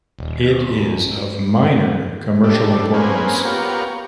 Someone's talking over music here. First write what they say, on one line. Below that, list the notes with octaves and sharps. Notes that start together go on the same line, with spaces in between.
It is of minor commercial importance.
D#1
G3 A3 D4
A#3 C4 C#4 G#4 B4
B3 F4 G4 A#4 C#5